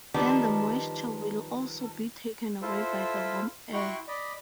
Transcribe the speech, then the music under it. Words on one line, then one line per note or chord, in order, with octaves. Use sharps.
Then the moisture will also be taken away by the warm air.
D#3 F3 G3 B3 D4 D#4
E4 F4 A4 C5 E5
E4 F#4 G5 C6 C#6
D5 D#5 B5